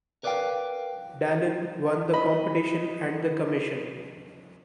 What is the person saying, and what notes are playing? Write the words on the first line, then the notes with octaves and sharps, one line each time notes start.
Dallin won the competition and the commission.
A#4 B4 D5 D#5 F5 G5
D#5 B5